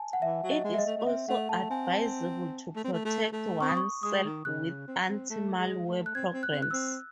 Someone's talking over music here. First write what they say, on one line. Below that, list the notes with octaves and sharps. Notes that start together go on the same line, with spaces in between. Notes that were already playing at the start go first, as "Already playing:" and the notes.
It is also advisable to protect oneself with anti-malware programs.
Already playing: G#5 A5
F#5
E3 E5
F#3
D#5
G#3
E5
D#5
A3
A3
C4 E5
A3 F#5
A3 A5
C4 G#5
A5
A3
C4
A3
A3
A3
C4 C#6
D#6
C#6
G#3 D#6
D#3
C#3 F#6
C4
C4
A3
G#3
A3
F#6
C4 G#6
C4
F#6
C4
F#6
C4 E6